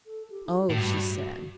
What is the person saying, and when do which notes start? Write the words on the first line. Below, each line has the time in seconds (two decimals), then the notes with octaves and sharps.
"Oh," she said.
0.06 A4
0.30 G4
0.46 D#4
0.53 F#4
0.70 A2
0.78 G2